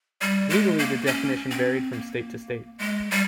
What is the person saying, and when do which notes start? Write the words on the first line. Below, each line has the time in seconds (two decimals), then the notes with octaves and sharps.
Legally the definition varied from state to state.
0.21 G3
0.50 G#3
0.79 A#3
1.07 C#4
1.50 C4
1.92 A#3
2.78 G#3
3.11 G3